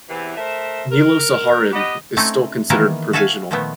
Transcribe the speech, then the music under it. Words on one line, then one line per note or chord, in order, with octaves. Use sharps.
Nilo-Saharan is still considered provisional.
E2 C3 E3
A3 A#4 C5 E5
A#4
B3 G4 D#5
A3 C4 C#4 D#4
D#3 E3 A#3 B3 A#4
F#4 A4 C#5 E5 F5 G#5
A#2 D#3 F3 A3 B3